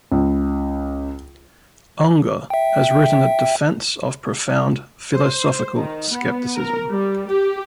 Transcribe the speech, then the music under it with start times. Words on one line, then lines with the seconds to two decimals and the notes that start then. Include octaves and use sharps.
Unger has written a defense of profound philosophical skepticism.
0.12 C#2
2.50 E5 G5
5.14 C5
5.76 D#3
6.12 B3
6.56 A#4
6.89 G3
7.28 G4